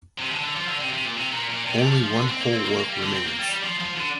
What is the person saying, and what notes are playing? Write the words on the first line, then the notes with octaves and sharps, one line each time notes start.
Only one whole work remains.
C3
D3
D3
F3
D3
C3
C3
A#2
C3
A#2
A#2
C3
D3
F3
F3
D3
C4
A#3
C4
A#3
A#3
G3
D3
C4
A#3
G3
G3
F3
F3
D3